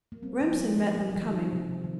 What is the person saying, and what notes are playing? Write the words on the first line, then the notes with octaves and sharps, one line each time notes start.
Remsen met them coming.
A#3
G3 C4
F3 A#3
G3
F3 A#3
G3
F3
D#3
G3
F3
C3
C3
D#3